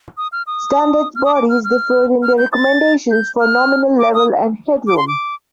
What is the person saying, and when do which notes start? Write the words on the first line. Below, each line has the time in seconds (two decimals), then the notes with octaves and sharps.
Standards bodies differ in their recommendations for nominal level and headroom.
0.17 D#6
0.32 F6
0.47 D#6
1.15 F6
1.25 D#6
1.34 D6
1.49 F6
1.64 F6
2.22 F6
2.38 G6
2.52 A6
3.11 G6
3.40 F6
3.99 D6
4.14 D#6
4.87 D6
4.97 C6
5.08 D6